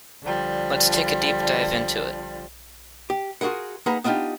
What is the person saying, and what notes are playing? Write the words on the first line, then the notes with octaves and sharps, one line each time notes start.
Let's take a deep dive into it.
D3 F3 G3
G4
F4 F#4 G#4 A#4 F#5
A#3 D#4 G#4 B4 F#5 A#5
B3 D4 D#4 F4 G4